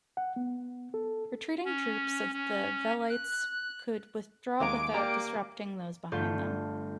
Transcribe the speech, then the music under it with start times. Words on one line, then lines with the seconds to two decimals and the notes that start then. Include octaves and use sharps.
Retreating troops of the "velites" could withdraw without disrupting those behind them.
0.17 F#5
0.36 B3
0.94 A4
1.65 C#4
2.32 C#4
3.10 F#6
4.60 D#2 F#3 G#3 F5 A#5 D6 D7
4.94 A#3 G4 D5 G5 A#5
6.12 G1 A3 F4 G6